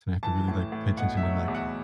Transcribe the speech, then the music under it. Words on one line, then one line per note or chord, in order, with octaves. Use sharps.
so I have to really, like, pay attention to, like,
E3 A5
A2
A2
B2 F#5
E5
F#3
E2
F#5